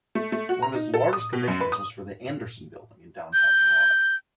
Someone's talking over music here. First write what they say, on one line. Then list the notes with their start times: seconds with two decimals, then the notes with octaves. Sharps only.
One of his largest commissions was for the Anderson Building in downtown Toronto.
0.15 A3
0.32 A3
0.49 F#4
0.62 A#5
0.75 D#4
0.94 A4
1.13 D#6
1.33 B2
1.48 F#2
1.61 B4
1.72 D#6
3.33 G6